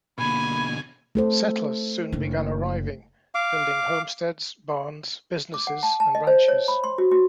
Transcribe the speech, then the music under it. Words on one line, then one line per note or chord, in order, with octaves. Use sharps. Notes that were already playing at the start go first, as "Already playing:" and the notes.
Settlers soon began arriving, building homesteads, barns, businesses, and ranches.
B2 D3 A#3 G#5 B5 G#6
A3 A4 C5
F#1 D4
F5 D6
D6
F#5
A5
A5
D#5
C5
C#5
B5
C6
F#4
F#4